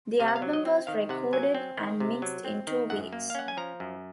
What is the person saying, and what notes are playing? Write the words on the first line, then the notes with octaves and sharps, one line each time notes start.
The album was recorded and mixed in two weeks.
C3 F5
F#5
F5
F#3
D#5
C4
D#3 F5
C3 F#5
F#3 G#5
C4
D#3
C3
F#3
C4
D#3
F#2 F#5
A#3
F5
C#4 F#5
G#5
F3 A#5
F#2